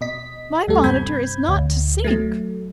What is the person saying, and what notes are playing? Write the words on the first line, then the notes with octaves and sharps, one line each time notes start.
"My monitor is not to sink!"
B2 D#5 B6
D#2 G3 A3 A4
G2 C3 C4 B5 G6 G#6
D2
F#3 A3